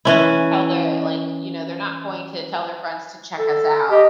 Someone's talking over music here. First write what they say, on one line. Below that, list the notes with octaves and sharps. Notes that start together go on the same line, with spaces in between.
tell their, like, you know, they're not going to tell their friends to check us out,
E3 C#4 E4
A4
G4 D#5